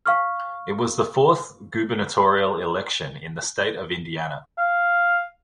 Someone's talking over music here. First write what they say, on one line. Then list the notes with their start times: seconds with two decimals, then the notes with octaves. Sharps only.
It was the fourth gubernatorial election in the State of Indiana.
0.06 F5 C#6 F6
4.58 F5